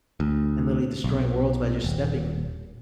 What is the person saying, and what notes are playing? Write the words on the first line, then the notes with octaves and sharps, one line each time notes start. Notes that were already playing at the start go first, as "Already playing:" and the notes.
and literally destroying worlds by just stepping.
D2
B1
D#1